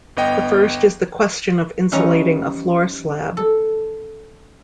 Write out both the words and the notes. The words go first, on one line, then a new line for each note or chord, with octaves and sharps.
The first is the question of insulating a floor slab.
G1 B3 D#5 G5
E3 F3 G3 C#4 D#4
A4